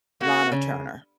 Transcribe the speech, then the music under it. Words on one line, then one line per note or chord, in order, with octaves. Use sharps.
Lana Turner.
A#3 F#4
C#3